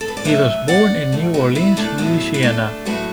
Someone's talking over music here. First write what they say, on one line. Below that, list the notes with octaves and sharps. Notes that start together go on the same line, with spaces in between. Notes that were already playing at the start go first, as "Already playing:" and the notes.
He was born in New Orleans, Louisiana.
A4
B4
D5
A2 F#3 A3 B4 E5
D5 F#5
A2 F#3 A3
F#4 B4
B3 E4
A3 D4
A2 F#3 A3 B3 E4
E4
A3 D4
A2 F#3 A3 F#4 B4